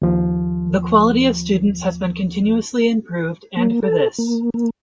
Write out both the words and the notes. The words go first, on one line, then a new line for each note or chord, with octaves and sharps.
The quality of students has been continuously improved and for this.
D#2 F3
A#3
A4
A#3
A#3